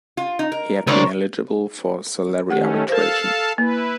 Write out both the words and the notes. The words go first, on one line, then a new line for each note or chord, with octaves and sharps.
He had been eligible for salary arbitration.
F4
D#4
A#4
C#2 D4 A#4 C5 C#5
D#3 A3 C#4 G4 F#5
A4 A#4 C5 F5 A5
A#3 E4 B4